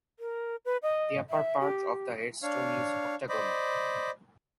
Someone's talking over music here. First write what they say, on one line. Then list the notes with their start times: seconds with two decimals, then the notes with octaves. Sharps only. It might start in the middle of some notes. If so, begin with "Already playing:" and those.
The upper part of the headstone is octagonal.
0.19 A#4
0.65 B4
0.82 D#5
1.30 E5
1.60 G4
2.43 D4 C#5 F5
3.29 C5 D5 D#5 B5